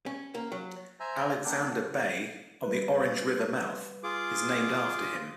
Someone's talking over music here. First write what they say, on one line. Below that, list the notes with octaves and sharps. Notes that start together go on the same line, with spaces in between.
Alexander Bay on the Orange River mouth, is named after him.
C#4
A#3
F#3
C5 E5 G#5 A#5
A#3 D4 A4 D5 F#5 G5
G3 B4
F4 G#4 D6